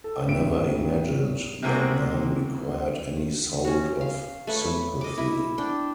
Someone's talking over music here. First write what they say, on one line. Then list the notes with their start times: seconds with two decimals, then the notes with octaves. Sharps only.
I never imagined that men required any solt of sympathy.
0.04 A4
0.26 G#1 G2 E5 D7
1.62 C3 G3 G#3 A#3 C4 F#4
3.65 C#4 F#4
4.01 F5
4.47 A3 B4 C#5
5.01 D#5 D6
5.18 E4
5.58 D4 G5